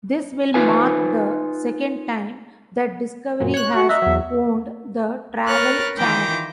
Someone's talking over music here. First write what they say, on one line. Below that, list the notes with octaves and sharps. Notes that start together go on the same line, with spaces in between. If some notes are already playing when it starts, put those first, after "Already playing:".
This will mark the second time that Discovery has owned the Travel Channel.
D#4 F4 B4 G#5
F#2 A#2 F#3
C#5 F#6
F#4
D#4 F#4 E5
E2 F#3
A#4 B4 C#5 F6 F#6 A6
D#3 E3 F4 G5 A#5 D6